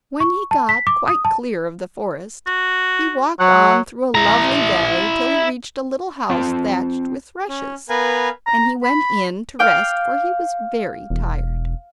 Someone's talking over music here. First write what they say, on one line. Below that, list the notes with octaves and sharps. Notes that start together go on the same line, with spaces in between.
When he got quite clear of the forest he walked on through a lovely valley till he reached a little house thatched with rushes, and he went in to rest for he was very tired.
C#6
A5
B6
D6
D#6
A5
F#4
F#3 F#5
E4 A#5
C4 F4 C5 A5
C#4
B3 A#4 B4 F5 G#5
A#5
B5
F5 G5 D6
E1